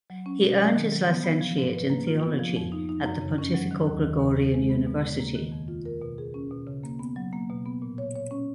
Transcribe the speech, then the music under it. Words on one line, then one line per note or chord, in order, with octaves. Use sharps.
He earned his licenciate in theology at the Pontifical Gregorian University.
F#3
C#4
B2
F#3
D#3
F#3
B3
B3
F3
G#2
B4
A#3
F4
B3
F3
F2
D#4
D#4
F#2
C#3
C#4
F#3
D#3
D#2
D#3
D#2
G#4
G#3
B3
B2
C#3
A#3
D#3
F2
F4
A#4
B2
G#4
C#4
B2
C#3
A#3
B3
F#3
A#3
B2
B3
A#2
C#5
C#5
C#4